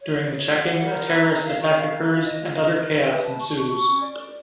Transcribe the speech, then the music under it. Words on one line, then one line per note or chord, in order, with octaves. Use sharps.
During the checking, a terrorist attack occurs and utter chaos ensues.
C#5
C#5
C#5
F#5
F#5
A#4
C5
A#5
A#5
F5
C#6
F5
A#4
F4
D#5
F4
D#5
A#4
B4
B4
A5
C#6
A5
C#6
C#4
D5
D5